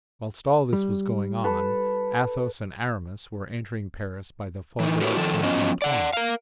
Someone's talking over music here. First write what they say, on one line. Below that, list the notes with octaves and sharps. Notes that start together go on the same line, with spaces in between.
Whilst all this was going on, Athos and Aramis were entering Paris by the Faubourg St. Antoine.
G3
A4 B4 A5
E3 D#4
E4 F#4 G4 A#4 B4 C#5
D#3 F3 A4
F3 F#3 B3 C#4 F4 D#5
D5 F#5
A#4 F5